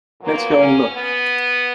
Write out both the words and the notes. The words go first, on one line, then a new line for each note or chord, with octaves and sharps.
Let's go and look.
A#2 F#3 A#3 B3
C#4
B3